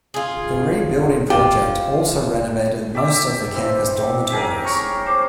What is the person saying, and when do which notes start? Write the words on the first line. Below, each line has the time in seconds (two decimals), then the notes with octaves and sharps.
The re-building project also renovated most of the campus dormitories.
0.14 F4 G#4
1.30 F3 G4
2.95 G4 D5 E5
3.54 E3 C4
4.30 G4 G#4 A#4
4.64 C#5 A#5 C#6
5.06 C5 D6